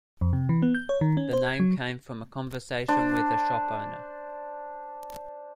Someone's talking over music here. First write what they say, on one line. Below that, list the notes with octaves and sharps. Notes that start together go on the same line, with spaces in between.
The name came from a conversation with a shop owner.
F2
C3
E3
B3
G6
C#5
D#3
C#4
C5
G#6
F#3
D4 C5